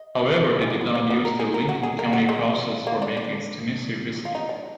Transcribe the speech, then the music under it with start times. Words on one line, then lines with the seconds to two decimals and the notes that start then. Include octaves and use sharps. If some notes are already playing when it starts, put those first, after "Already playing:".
However, it did not use the Lincoln County Process for making its Tennessee whiskey.
Already playing: D#5
0.51 B4
0.62 G#4
0.70 D4
0.81 B3
0.95 A#3
1.10 B3
1.25 A#4
1.39 G#4
1.54 A#4
1.69 F#4
1.83 G#4
1.99 A#4
2.13 F#4
2.29 G#3
2.87 A#3
3.02 D4
3.17 D4
4.25 F4
4.35 D#4
4.49 D4